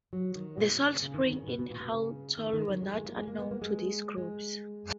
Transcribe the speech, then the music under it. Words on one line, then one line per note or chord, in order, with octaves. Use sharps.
The salt springs in Halltal were not unknown to these groups.
F#3
D#3
A#2
B2
C#3
C#3
D#3
D#3
B2
C#3
B2
B2
A#2
B2
C#3
D#3
C#3
D#3
F#3
G#3
G#3
A#3
G#3
A#3
B3
A#3
G#3
G#3